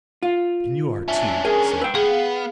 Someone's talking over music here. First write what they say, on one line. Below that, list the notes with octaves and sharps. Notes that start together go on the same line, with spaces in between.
"And you are, too," said he.
F4
C#4 D4 E5
G#4 A#4 G#5
B4 G5 E6
B3 G#4 F5